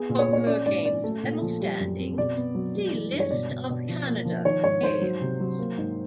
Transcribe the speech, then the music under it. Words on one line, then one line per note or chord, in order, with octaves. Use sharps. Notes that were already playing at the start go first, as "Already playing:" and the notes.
For per Games medal standings see List of Canada Games.
Already playing: B3 G#4
A#2
C#5
A#2
C#5
C#4 D5
G#2 D5
C#4 D5
A3
A#2
F3
G3
F#2
C4
B2 D5
B3
F#3
G#3
E3
G2
C#5
B2 D5
B2
B2
F3
A#3
F3
D#3 C#5
G#2 C#5
G#2 C5
F#3
C3
F#3
A#3
G#2